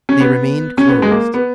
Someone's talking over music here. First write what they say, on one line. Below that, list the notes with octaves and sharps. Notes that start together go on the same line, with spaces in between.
They remained closed.
C#4
B3
C#4
B3
G#3
A#3
B3